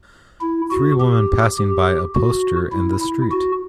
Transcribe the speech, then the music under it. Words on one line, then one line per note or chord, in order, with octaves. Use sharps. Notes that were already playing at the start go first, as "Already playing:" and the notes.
Three woman passing by a poster in the street.
E4
F#4
G4
G4
F#4
E4
E4
F#4